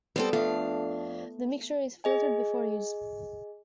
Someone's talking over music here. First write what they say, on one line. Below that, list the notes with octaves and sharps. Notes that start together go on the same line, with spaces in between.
The mixture is filtered before use.
G3 B3 C4 A4
F2 A3 D4 F5
G#4 D#5 G#5